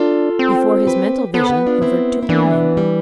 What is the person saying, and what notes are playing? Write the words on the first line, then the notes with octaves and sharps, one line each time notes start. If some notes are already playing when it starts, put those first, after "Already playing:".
Before his mental vision hovered two women.
Already playing: D4 F4 A4
C4
G4 B4
B3 A4 C5
G4 B4
D4 F4
C4 E4
E4
E3 B3 D4
G3